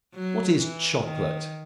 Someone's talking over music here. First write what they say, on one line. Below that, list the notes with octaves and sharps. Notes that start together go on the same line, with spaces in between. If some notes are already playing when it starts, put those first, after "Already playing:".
What is Chocolate?
F#3
E3
D#3